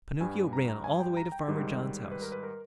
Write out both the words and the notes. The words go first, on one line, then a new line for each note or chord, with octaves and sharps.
Pinocchio ran all the way to Farmer John's house.
G2 G3 G#5
A#5
A#5
G#5
G5
A#5
G5
G#2 D#3 G3
B4
A#4
B4
A#4